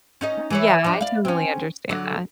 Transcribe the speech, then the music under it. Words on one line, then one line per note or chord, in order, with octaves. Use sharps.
Yea Yeah I totally understand that.
C#4 D#4 D#5
E3 E4 C#5
F3 D4
D5 F5
C4 C#4
D3 F#3